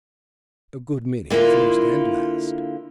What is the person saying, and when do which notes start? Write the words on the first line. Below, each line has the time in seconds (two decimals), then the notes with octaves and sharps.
"A good many, first and last."
1.30 D3 A#3 E4 F4